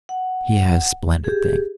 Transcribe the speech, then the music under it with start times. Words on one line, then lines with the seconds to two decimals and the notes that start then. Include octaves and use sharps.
He has splendid things.
0.09 F#5
1.24 G4 G#4